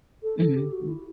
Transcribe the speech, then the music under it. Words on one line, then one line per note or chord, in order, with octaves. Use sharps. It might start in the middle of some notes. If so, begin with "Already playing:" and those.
Mhm mm.
A4
A4
G4
F#4
E4